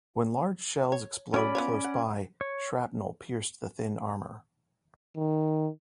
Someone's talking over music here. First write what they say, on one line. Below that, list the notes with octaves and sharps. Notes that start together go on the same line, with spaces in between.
When large shells explode close-by, shrapnel pierced the thin armor.
C#5
F#3 C#4 G#4 D5 B5
B3 F4 C#5
F#5
C#5
D#3